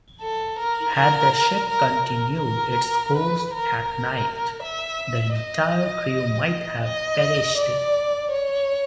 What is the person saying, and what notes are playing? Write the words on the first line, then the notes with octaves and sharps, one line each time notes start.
Had the ship continued its course at night, the entire crew might have perished.
A4
A#4
A#4
A#4
A#4
A#4
B4
A#4
A#4
E5
D#5
D#5
D5
C#5